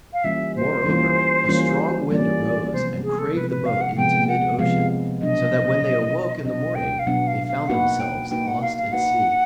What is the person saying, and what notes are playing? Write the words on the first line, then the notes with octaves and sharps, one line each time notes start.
Moreover a strong wind arose and crave the boat into mid-ocean, so that when they awoke in the morning, they found themselves lost at sea.
F5
E3 G3 A#3 C#4 F4 E5
C5
E3 G3 A#3 C#4 F4
E3 G3 A#3 C#4 F4
E3 G3 A#3 C#4 F4 D5
C3 F3 G#3 B3 C5
G#4
A4
C3 F3 G#3 B3 B4
B4
F5
F#5
C3 F3 G#3 B3 G5
F#5
C3 F3 G#3 B3 F5
B2 F#3 B3 D4 D#5
B2 F#3 B3 D4
B2 F#3 B3 D4 D#5
G5
F5
B2 F#3 B3 D4 F#5
F5
F5
A#3 D#4 F#4 B4 F#5
G5
A#3 D#4 F#4 B4 G5
F#5
F5
F5
A#3 D#4 F#4 B4 F#5